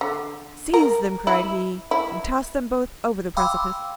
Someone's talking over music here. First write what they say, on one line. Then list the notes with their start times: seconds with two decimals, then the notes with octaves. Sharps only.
"Seize them," cried he, "and toss them both over the precipice!"
0.01 D3
0.74 A#4
1.27 E4
1.91 E4
3.37 F5 G5 B5 C6 D6 E6